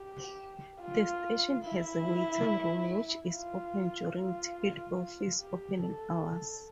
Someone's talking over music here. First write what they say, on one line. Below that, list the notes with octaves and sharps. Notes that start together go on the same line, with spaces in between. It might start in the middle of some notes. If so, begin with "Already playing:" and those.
The station has a waiting room which is open during ticket office opening hours.
Already playing: G4
F4
E4
F4
F4
F4
G4
A4